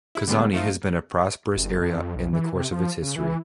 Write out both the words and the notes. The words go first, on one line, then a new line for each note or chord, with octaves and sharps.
Kozani has been a prosperous area in the course of its history.
E4
D3 G3 G#3 B3 D4
F3 A3 D#4 F4
F#1
F2
B1
E3
C3
F3
C#3
E3